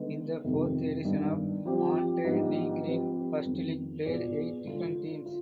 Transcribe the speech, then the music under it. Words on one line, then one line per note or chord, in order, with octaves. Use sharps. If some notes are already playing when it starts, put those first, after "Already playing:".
In the fourth edition of Montenegrin First League played eight different teams.
Already playing: D3 G#3 B3 D#4
F2 C3 D#3
G2 D#3 B3
F3 C4 G4 C5
G#2 F3 B3 D4 G4
F3 C4 G4 B4
F2 D#3 B3
B2 B3 F4 G#4 D5
D3 G#3 D4 F4
F4